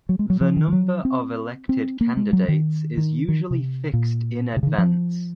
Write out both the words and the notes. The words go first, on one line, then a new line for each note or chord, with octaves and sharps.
The number of elected candidates is usually fixed in advance.
F#3
G#3
F#3
F3
D#3
F3
F#3
C4
C4
A#3
G#3
F#3
D#3
D#3
D#3
C3
A#2
C3
C#3
D#3
F3